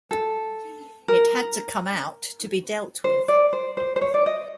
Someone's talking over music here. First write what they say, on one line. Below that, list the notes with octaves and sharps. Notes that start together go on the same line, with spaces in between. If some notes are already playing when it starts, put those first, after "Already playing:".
It had to come out, to be dealt with.
A4
A#4
C5
D5
C5
C5
C5
C#5
D5
D#5